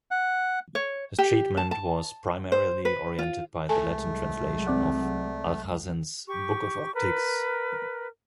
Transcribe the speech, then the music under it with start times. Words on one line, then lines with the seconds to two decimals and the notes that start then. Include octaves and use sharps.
His treatment was primarily oriented by the Latin translation of Alhazen's "Book of Optics".
0.11 F#5
0.75 C#5
1.18 G4
1.57 A5
1.71 A5
2.52 C5
2.85 B4
3.19 F4
3.69 C2 F#3 G#3 A3 A4 G#5 A5
4.66 C4 D5 F#5
6.27 G4 C#6
6.95 A#4 B4